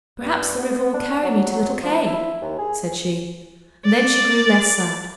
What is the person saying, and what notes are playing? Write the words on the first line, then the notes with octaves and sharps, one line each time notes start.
"Perhaps the river will carry me to little Kay," said she; and then she grew less sad.
G2
B3
D4
F#3
F#3
F3
E4
D#2
G#4
D5